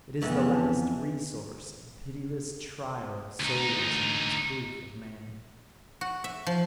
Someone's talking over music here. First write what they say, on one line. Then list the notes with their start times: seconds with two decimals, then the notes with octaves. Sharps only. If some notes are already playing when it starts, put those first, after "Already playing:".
It is the last resource of the pitiless trier of souls in his proof of man.
0.21 F2 E3 B3
3.40 D2 D#4
6.01 F#4
6.24 E5
6.47 F3